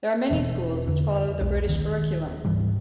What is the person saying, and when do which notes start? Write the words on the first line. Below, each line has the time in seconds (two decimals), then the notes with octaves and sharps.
There are many schools which follow the British Curriculum.
0.30 E1 E2 B2 C4
0.87 E2 D3
1.40 B1 G#3
1.66 D#1 D#3
2.45 D1 G#2 E3 G3